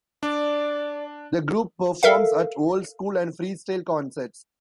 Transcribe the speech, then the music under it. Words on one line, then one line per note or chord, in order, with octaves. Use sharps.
The group performs at old-school and freestyle concerts.
D4 D5
A4 A#4 E5 F5